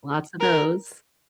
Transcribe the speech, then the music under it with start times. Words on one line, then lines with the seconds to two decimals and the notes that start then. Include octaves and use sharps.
Lots of those.
0.41 A#4